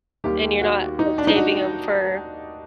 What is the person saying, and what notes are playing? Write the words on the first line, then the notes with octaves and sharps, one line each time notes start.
and you're not, like, saving 'em for
D#2 D#3 G3 A#3 G4
F#4
D#4
D4
D#4
F#4